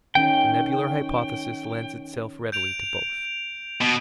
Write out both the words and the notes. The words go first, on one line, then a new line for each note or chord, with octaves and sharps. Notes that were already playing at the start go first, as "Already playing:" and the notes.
The nebular hypothesis lends itself readily to both.
D#3 C#4 D#4 G5
G6 D7 F7
B2